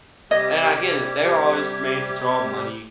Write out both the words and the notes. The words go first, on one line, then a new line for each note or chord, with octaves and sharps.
And I get it, they're all just made to draw money,
C3 G3 G4 D#5 G#6